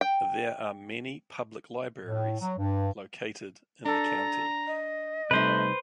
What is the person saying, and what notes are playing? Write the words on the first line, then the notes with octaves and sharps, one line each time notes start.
There are many public libraries located in the county.
G5
A2
F#3
G2
D4 A4 A#5
D#5
C3 G3 A3 D#4 B4 C5